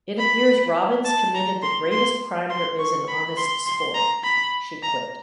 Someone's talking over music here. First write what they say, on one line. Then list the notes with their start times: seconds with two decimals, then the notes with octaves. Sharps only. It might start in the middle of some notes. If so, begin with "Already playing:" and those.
It appears Robbins committed the greatest crime there is in honest sport: she quit.
0.19 B5
1.05 A5
1.35 A#5
1.63 C6
1.92 C6
2.50 C6
2.79 C#6
3.08 B5
3.37 C6
3.67 C6
3.95 A#5
4.24 B5
4.83 A#5